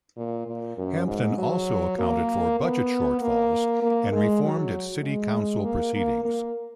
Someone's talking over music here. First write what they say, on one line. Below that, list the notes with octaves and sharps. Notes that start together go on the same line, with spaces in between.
Hampton also accounted for budget shortfalls, and reformed its city council proceedings.
A#2
A#2
F#2
G#2
F#3
A#3
B3
A#3
A#3
G#3
F#3
G#3
A#3
A#3
A#3